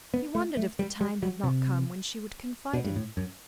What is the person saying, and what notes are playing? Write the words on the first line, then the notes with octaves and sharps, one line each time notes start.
He wondered if the time had not come when she would confide in him.
B3
A3
A3
G3
G3
F#3
C3
B2
G2
A2
F#2